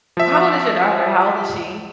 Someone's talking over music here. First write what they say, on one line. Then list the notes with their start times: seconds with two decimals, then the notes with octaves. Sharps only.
How old is your daughter? How old is she?
0.17 F3 E5